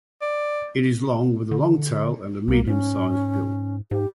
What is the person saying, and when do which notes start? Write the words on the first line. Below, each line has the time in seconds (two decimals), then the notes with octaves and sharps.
It is long, with a long tail and a medium-sized bill.
0.22 D5
1.51 D3
2.48 C2 A#3
2.67 G#2 C#4
3.91 G#2 G4